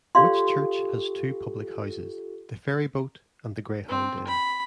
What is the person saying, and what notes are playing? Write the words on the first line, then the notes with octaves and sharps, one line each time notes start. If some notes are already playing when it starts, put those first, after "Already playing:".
Whitchurch has two public houses, the Ferryboat and the Greyhound Inn.
F4 G4 A4 D5 F5 C6
C4
B5